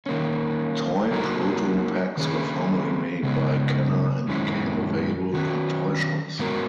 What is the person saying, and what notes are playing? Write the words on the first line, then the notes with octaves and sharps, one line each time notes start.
Toy proton packs were formerly made by Kenner and became available in toy shops.
D#3 A#3 C#4
F#3 A#3 D#4 F#4 A#4
D#3 A#3 C#4 G#4
C#3 G#3 B3
F#2 D#3 G#3 C#4 E4
D#3 F#3 C#4 F#4
G#2 F#3 B3 F#4 A#4